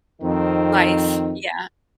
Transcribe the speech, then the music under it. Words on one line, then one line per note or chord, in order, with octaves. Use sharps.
Life. Yeah.
F2 D#3 C4 D#4